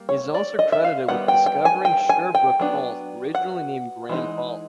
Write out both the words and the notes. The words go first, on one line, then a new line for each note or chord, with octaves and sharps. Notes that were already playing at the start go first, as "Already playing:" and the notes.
He is also credited with discovering Sherbrooke Falls, originally named Graham falls.
Already playing: G3 A#3
C#5
D5
D#5
E5
F5
D#3 G3 B3 D#4 F#5
G5
G5
G#5
G5
G#5
G5
F#3 B3 D4
F#5
E3 G#3 C4 D#4